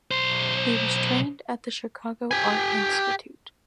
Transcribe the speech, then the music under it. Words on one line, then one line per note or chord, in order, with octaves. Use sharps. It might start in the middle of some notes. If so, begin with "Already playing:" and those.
He was trained at the Chicago Art Institute.
B1 C5
G4 G#5